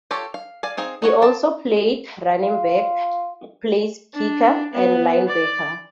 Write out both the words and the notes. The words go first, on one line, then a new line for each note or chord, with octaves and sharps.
He also played running back, placekicker, and linebacker.
F4 G4 A4 C#5
F5
D5 F5 G#5
C4 D#4 G#4 F5
D#4 F#4 C#5
C4 A5
F4
D4
B3
D5